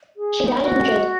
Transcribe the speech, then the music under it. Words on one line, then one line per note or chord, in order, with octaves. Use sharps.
She died in Madrid.
G#4
D#4
F#4